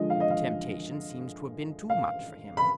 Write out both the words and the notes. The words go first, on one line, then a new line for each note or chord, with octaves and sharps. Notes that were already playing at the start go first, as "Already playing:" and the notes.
The temptation seems to have been too much for him.
Already playing: D3 F3 G#3 D#5
F5
D#5
F5
F5
B5